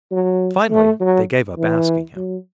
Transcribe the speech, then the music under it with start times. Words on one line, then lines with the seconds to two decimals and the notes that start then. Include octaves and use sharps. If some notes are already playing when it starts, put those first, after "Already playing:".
Finally they gave up asking him.
0.12 F#3
0.70 A3
1.00 F#3
1.58 E3
2.16 F#3